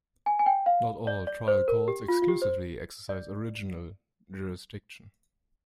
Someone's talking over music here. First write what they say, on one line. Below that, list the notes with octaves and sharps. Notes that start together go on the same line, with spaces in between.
Not all "trial courts" exclusively exercise original jurisdiction.
G#5
G#5
G5
F5
D5
D5
C5
A#4
G4
F4
F4
G4
C5
D5